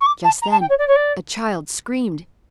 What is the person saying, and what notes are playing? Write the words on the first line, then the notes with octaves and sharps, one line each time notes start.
Just then a child screamed.
C#6
D6
A5
A#5
A5
G5
C#5
D5
C#5
D5